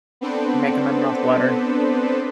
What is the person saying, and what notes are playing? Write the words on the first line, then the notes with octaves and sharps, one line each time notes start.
Making my mouth water.
B3 C4 D4 A4 B4 C5